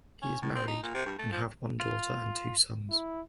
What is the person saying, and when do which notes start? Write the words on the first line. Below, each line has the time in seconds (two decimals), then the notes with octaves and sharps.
He is married and have one daughter and two sons.
0.22 C#4
0.42 A2
0.55 C4
0.67 D#4
0.82 A#2
0.94 C3
1.06 G2
1.18 A3
1.31 F3
1.80 F4
2.90 E4